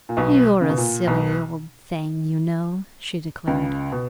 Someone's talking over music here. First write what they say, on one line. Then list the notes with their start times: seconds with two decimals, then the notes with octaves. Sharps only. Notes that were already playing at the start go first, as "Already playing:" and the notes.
"You're a silly old thing, you know," she declared.
0.09 A#2
0.17 B1 B2
0.61 C#3
0.70 B2
0.77 A#2
1.07 B1 B2
3.47 C#2 C#3
3.92 B2